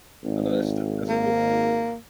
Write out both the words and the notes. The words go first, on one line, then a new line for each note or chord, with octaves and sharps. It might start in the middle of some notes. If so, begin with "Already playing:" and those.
I know that's the that's a good no
G#1
A#3